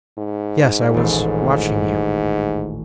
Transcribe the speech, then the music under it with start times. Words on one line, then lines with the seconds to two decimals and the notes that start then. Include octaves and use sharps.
"Yes--I was watching you."
0.18 G#2
0.94 D#1 A1